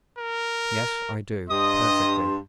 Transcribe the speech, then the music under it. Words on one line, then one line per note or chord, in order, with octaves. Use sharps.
Yes; I do, perfectly.
A#4
G2 D#5 C6 D#6